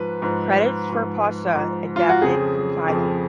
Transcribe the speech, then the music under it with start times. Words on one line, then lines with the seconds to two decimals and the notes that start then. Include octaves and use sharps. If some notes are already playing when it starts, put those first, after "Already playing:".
Credits for "Pausa" adapted from Tidal.
Already playing: G#2 F3 B4
0.22 G#2 F3
0.89 G#2 F3
1.55 G#2 F3
1.96 F4
2.09 F#4
2.21 F2 C#3 F3 G#4
2.88 F2 C#3 F3